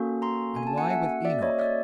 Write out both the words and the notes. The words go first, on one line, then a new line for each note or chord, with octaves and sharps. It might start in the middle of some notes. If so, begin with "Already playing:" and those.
"And why with Enoch?"
Already playing: A#3 C#4 F#4 A4
A#5 C6
G#5
A5
F#5 G#5
E5 F#5
D5 E5
C#5 D#5
D5 E5